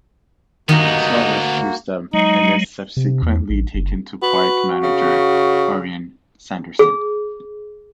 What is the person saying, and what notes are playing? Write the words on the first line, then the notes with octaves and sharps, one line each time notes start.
Axel rescues them and is subsequently taken to park manager Orrin Sanderson.
D2 G2 A#2 D#3 A#3 B3 D#4 F#4
F#3 G#3 D#4
C3
E2
A1
F#1
F#4 B4
C#3
G#4